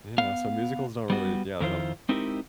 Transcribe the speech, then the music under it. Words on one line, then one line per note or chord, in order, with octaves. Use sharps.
You know, so musicals don't really yeah, they don't
B3 F5
G3 B3 F#4
F2 D#3 E4 F4 C5
G#3 C4 D#4 E4 G4 A#4